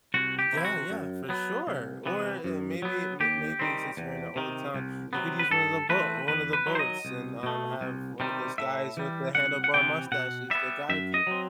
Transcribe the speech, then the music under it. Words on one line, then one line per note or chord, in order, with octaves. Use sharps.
Yeah, yeah, for sure. Or, eh, maybe may maybe since you're in an old town, you could use one of the bo one of the boats and, um, have one of those guys with the handlebar mustaches to guide you.
C2 F#4
G4
C3 E3 E4
F#4
F#2
F#3 B3
C2
C3 E3 B3
F#2
F#3 B3
D#2 G4
D#3 G3 C4
E2
C3 D#3
C2
C3 F#3 B3
B4
G2 A4
E3 A3 C4 B4
E2 B4
B4
D#3 F#3
C5
D#5
C2
B2 A3
C2
C3 D#3 G3
A2 E5
E3 G3
C2 F#5
F#5
C3 E3 B3 G5
B2 F#5
G3 B3 E5
F#2 E5
D#5
F#3 C4